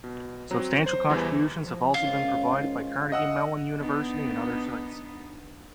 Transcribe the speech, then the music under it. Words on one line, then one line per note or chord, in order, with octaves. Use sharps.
Substantial contributions have also been provided by Carnegie Mellon University and other sites.
B2
F#3 C4 A#5
C5
E2 E3 G3
F3
G#2 D#3 C#4 F4
D#5 F#5 E6
B3 D4 D#4